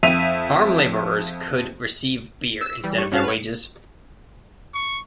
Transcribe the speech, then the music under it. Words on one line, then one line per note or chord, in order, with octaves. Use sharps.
Farm labourers could receive beer instead of their wages.
F2 E5 B6 D#7 F7
E6
E3 G3
G2 C#6
G2 C#4 F#4 F5 A5
B4 C#5
C#6